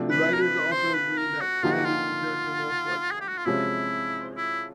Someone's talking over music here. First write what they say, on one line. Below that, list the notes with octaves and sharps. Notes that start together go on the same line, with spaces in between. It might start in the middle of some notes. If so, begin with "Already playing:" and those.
The writers also agree that Ted is the character most like them.
Already playing: C3 F3 A3 D4 G4
B4
A#4
B4
C5
B4
A#4
F#4
D3 F3 A#3 D#4 F4 G4
F#4
F4
G#4
G4
F#4
F4
C3 F3 G#3 C#4 E4
E4